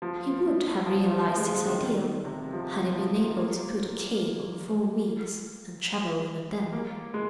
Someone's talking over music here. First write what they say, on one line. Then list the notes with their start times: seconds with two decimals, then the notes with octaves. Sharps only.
He would have realized his ideal, had he been able to put a cave on four wheels and travel in a den.
0.02 F3
0.86 F3
1.28 F3
1.38 G#3
1.48 F3
1.69 D#3
2.25 C3
2.53 F3
2.95 F3
3.37 A#3
6.73 A#3
7.14 G#3